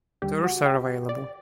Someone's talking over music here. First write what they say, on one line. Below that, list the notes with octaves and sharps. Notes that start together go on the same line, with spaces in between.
Tours are available.
D#2 D3 G3 G4
F#4
G4
D5